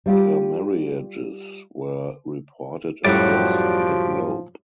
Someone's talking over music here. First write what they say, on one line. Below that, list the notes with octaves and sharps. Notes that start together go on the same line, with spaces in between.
Her marriages were reported across the globe.
G3 F4 G4
F#2 A2 F3 G3 F#4 G4 D5